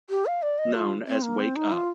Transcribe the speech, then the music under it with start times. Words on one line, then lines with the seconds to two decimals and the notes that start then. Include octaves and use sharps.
Known as Wake Up!
0.10 G4
0.26 F5
0.42 D5
0.58 D#5
0.75 F4
1.07 C4
1.22 A#3
1.39 C4
1.56 D#4
1.72 F4